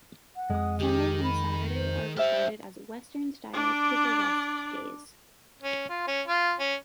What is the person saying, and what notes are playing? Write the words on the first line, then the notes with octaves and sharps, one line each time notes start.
Sunday and Saturday are regarded as "Western style take-a-rest days".
F#5
F2 G#3 D#6
D#3 G4
B5
C5
D4 G4 C5 E5 E6 F6
D4 D5
C#4
F4
C#4
F4
C#4